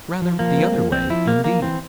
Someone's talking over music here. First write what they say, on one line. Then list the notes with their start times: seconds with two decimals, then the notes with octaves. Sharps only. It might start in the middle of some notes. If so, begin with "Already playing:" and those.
Rather the other way, indeed.
0.22 F3
0.39 F3 A#3
0.58 C4
0.75 F3
0.92 F3 C4
1.10 F3 E4
1.28 G#3 A#3
1.44 F3 A#3
1.62 E3 C4